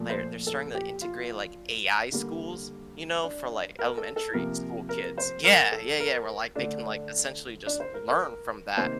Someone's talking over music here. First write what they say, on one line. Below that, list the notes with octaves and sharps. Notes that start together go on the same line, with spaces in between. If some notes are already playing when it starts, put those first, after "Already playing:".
they're they're starting to integrate, like, AI schools, you know, for, like, elementary school kids. Yeah, yeah, yeah, where, like, they can, like, essentially just learn from that,
Already playing: A#2 F3 A3
C5
A4
G4
F4
D3 G3 A#3
D4
A#4
A4
A4
C3 F3 A#3 A#4
A#4
C5
A#4
A4
A#4
D3 A3 D4
D4
C5
A#4
A#4
A#4
C3 D#3 A#3 C5